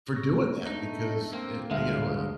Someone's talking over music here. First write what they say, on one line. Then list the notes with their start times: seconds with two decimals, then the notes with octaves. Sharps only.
for doing that because, uh uh you know a a
0.16 C#6 E6 A#6
0.66 G#3 A3 B3 D4 D#4
1.33 A#3 C4
1.71 D2 G2 A#2 G#3 E5 F5